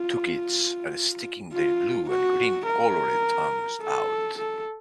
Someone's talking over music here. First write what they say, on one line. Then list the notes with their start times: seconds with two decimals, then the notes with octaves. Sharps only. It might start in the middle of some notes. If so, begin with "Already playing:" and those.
Two kids are sticking their blue and green colored tongues out.
Already playing: F4
1.52 F4
2.09 F#4
2.66 A#4
3.81 A4
4.38 A4